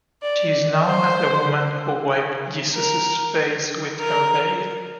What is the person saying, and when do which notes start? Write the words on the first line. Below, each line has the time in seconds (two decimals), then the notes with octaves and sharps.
She is known as the woman who wiped Jesus's face with her veil.
0.23 D5
0.86 C5
2.74 A#4
4.00 A#4